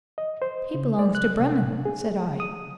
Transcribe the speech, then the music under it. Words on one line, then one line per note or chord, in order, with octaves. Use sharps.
"He belongs to Bremen," said I.
D#5
C5
C#3
D5
F#6
C3
G#4
D#6